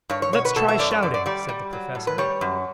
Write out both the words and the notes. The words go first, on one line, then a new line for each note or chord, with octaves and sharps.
"Lets try shouting," said the Professor.
G2 C#5
C#5
B2 C#5
B4
B2 A4
E5
F#2 D5
C#5
F#2 D5
D5
G3 D5
G3
F#3
A2
B4
G3 C#5
F#2